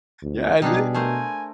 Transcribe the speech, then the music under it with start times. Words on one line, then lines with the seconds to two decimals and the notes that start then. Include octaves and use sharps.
yeah and they
0.22 D2
0.62 B2 G3 D4 D#4 G#4
0.94 A3 A#4 C5 G#5